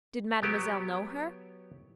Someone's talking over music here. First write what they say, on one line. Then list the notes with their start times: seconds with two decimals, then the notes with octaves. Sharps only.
Did mademoiselle know her?
0.42 F#3 B3 G4